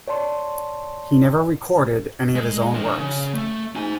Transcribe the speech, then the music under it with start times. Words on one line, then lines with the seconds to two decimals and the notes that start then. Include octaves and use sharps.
He never recorded any of his own works.
0.08 C#5 D5 A5 C6
2.36 G#3
2.74 D4 A#4
2.98 C#3
3.34 A3
3.76 D#4 G#5